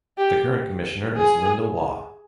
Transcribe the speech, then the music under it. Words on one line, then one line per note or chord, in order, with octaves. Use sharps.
The current Commissioner is Linda Waugh.
G4
G#4